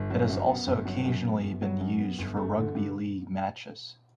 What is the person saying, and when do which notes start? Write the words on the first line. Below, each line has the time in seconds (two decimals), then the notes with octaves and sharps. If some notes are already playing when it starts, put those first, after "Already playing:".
It has also occasionally been used for rugby league matches.
Already playing: G1
0.10 F#3
0.29 F#2
0.49 B3
0.67 G1
0.85 F#3
1.05 F#2
1.24 B3
1.43 G1
1.62 F#3
1.80 F#2
1.99 B3
2.19 G1
2.37 A3
2.56 D3
2.75 G2